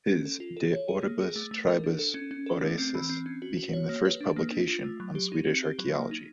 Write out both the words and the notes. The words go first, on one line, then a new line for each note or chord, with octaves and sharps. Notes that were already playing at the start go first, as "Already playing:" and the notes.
His "De orbibus tribus aureis" became the first publication on Swedish archaeology.
C#4
A4
F4
A4
C#5
G#4
A#3
G#4
A3
A3
A#4
D4
A4
C#4
C#4
A4
A3
C4
E3
C4
C#4
F#4
F#4
C#5
A#3
B4
D4
A#3
D4
F4
A3
F#3
G4
D#4
C4
G4
F#3
A#3
D#4